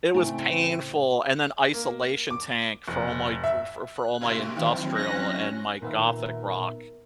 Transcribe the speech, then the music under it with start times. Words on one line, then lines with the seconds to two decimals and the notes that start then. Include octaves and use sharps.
it was painful, and then isolation tank for all f f for my industrial and my gothic rock,
0.14 A2 C#3 A3 C4 E4 G#5
1.74 A#3
2.31 D6
2.88 F1
3.44 E5
3.92 F#6
4.21 B2 A3 A#3 F#4 G4
4.55 G2 D3 E3 F#3 C4
4.94 C#4 F#6 A#6
5.82 A#2 D#3 B3 A#4 E5